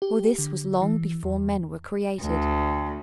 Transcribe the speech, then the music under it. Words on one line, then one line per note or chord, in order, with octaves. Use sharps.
For this was long before men were created.
G4
D3
E3
E2
D2